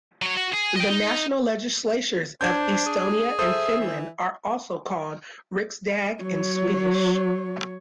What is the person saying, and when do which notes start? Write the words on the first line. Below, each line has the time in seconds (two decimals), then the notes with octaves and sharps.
The national legislatures of Estonia and Finland are also called Riksdag in Swedish.
0.22 F#3 C#5
0.37 F#4
0.53 G#4
0.76 D#5 G5
0.90 D#4
2.41 D4 C5 G6 G#6
2.86 G#4
3.39 A4 C5 E5 D#6
3.80 E3
6.21 F#3 C#5